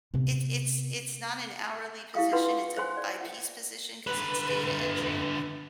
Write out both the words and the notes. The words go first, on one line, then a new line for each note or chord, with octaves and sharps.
It it's it's not an hourly position, it's a by-piece position 'cause it's data entry,
C3 B3
E4 G4 F5 G5 D#6
D4 D#4 F4 B4 F#5 C6
G5
C5 C#5 F#5 G#5 C6
D5
F#5 G5
D3 B4